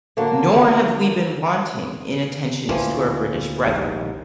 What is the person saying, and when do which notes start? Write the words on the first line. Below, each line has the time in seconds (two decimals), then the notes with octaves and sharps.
Nor have We been wanting in attentions to our British brethren.
0.17 D3 F#3 A#3
2.69 D2 A#2 E3 F3
3.66 A#1 D#2 G#2